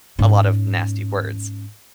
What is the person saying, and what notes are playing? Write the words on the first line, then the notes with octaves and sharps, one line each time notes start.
a lot of nasty words.
G#2 C#4